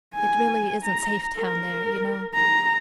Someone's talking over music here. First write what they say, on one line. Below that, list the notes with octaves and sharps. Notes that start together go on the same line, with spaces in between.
"It really isn't safe down there, you know."
G#5
A#5
A#4
A#5